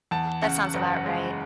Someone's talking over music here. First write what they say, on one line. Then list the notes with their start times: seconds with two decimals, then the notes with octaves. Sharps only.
That sounds about right.
0.11 E2 A5
0.42 C#3 F#5
0.74 F#1
1.06 G#3